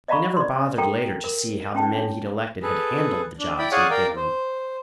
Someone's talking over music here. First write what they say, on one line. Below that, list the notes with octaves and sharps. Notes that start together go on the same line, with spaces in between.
He never bothered later to see how the men he'd elected had handled the jobs he had given them.
D5 D#5 F5 A#5 B5 C#6
D5 C6
A4 A#4 G5 A#5
A#4
C#4 G5 A5
D4 C#5
G#4 A4 B4
D4
E4 D5 G5 B5
G#4 C#5 D5 F5 F#5 G#5
A#4 D5 F5 G5
C5